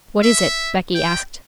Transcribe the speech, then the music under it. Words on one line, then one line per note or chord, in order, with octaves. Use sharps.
'What is it?' Becky asked.
E5
G5